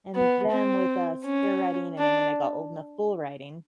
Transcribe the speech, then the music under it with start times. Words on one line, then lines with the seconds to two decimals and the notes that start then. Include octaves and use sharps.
and them with, uh, steer riding, and then when they got old enough, bull riding
0.15 B3
0.51 C4
1.25 C#4
1.98 D4